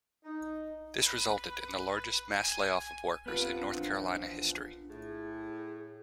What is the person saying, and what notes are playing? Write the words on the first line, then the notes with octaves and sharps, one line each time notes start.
This resulted in the largest mass layoff of workers in North Carolina history.
D#4
B4
G#5
G2 B3 C4 F4 A4 B4
E2 A#2 F3 D4
A2 G#4